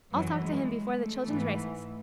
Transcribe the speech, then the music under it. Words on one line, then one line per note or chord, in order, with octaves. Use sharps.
I'll talk to him before the children's races.
F#2 E3 F#3
G#3
A3
G#2 E3